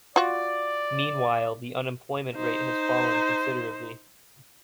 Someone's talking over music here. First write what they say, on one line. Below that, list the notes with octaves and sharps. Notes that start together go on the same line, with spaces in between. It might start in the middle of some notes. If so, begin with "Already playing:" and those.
Meanwhile, the unemployment rate has fallen considerably.
F4 F#4 D5
D#4 C5